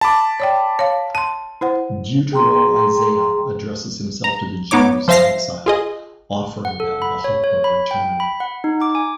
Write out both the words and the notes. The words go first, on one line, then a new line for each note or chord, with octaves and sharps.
Deutero-Isaiah addresses himself to the Jews in exile, offering them the hope of return.
A5 B5 D6
C#5 D5 G5
C#5 F5
A5 C6 D#7
E4 C5 F#5
G#4 G5 A#5 C6
A#5
B3 D#4 C#5 D6
F3 C5 E5 F5 A#6 C7
F4 G#4 D#5
F#5
A4
B5
C#5
C#5
B5
G5
B5
F#5
D#4
D6
G#5